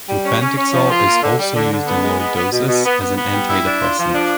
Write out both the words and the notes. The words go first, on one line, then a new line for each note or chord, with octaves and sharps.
Flupentixol is also used in low doses as an antidepressant.
G3
C#4
C#4
C#4
F3
F4
A#3
D3
G3
D3
D3
B3
G#3
B3
B3
B2
B2
B3
B3
B3
G3
E4
D4
F4
F3
D4